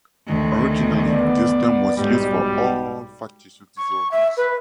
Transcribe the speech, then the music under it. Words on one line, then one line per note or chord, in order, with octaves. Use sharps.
Originally, this term was used for all factitious disorders.
D2 D#3
B3 D5
B1 G#2 G3
C#6
E5
B4